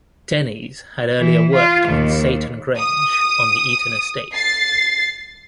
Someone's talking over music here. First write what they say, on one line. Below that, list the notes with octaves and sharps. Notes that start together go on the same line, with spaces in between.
Dennys had earlier worked on Saighton Grange on the Eaton estate.
E3
F4
D#2
D#6
A6 C7